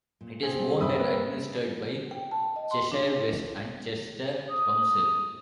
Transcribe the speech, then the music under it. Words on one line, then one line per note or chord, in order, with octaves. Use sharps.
It is owned and administered by Cheshire West and Chester Council.
A#2
C4 G#4
G3
G2 C3 E5 B5 D#6
A#3 A#4 B4
G5
A5
D#5
C6
D4
D#6